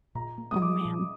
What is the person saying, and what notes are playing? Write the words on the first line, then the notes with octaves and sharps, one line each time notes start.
Oh, man.
A#2 A#5
A#3
D#6
G3 D6
A#2